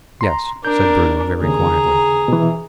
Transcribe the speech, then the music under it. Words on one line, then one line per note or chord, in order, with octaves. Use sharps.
"Yes," said Bruno, very quietly.
A#5 C6
D4 A#4 G6
D#2 C#3 G#4 A#5
B2 E3